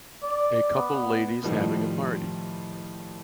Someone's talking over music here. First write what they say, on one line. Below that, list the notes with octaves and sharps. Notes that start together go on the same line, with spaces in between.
A couple ladies having a party.
D5
B3
A2 D#3 F3 G3